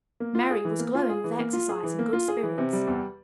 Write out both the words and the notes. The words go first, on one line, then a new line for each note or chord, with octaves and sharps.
Mary was glowing with exercise and good spirits.
A#3
F4
G#4
E3
A#3
F4
G#4
E3
A#3
F4
G#4
E3
A#3
F4
G#4
E3
C3
G3
E2